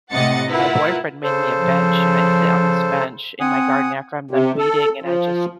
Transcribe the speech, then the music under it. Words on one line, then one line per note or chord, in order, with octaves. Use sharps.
my boyfriend made me a bench and I sit on this bench in my garden after I'm done weeding and I just
A2 C3 D#5 F#5 A6 C#7
E4 F4 A#4 B4 F#5
C#3 A4 C5
F3
C4 F#5 G#5 D#6
C3
A4
F3